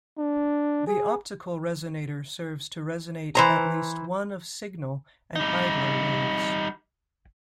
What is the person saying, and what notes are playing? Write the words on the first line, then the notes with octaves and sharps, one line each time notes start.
The optical resonator serves to resonate at least one of signal and idler waves.
D4
G#4
E3 C5 A#5
G3 D#4